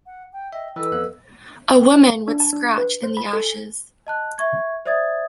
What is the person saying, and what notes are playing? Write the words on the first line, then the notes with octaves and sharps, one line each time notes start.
A woman would scratch in the ashes.
F#5
G5
D#5 E5 G5
E3 A4 B4 D#5 E6
F2 B3 F#6
D4
A5
D4
B4
C5
B5
A4
D#5 A5 F#6
E5 C#6 G#6
C5 D5 E5 D#6 G#6 A6